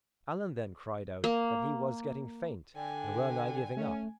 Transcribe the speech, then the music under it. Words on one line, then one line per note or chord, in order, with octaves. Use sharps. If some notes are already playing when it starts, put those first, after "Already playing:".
Allen then cried out that he was getting faint and well-nigh giving up.
A#3
D3 G5 G#5
A3 C#4